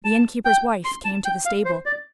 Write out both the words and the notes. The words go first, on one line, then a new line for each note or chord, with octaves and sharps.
The inn-keeper's wife came to the stable.
A5
G5
C6
A5
G5
F5
C5
D5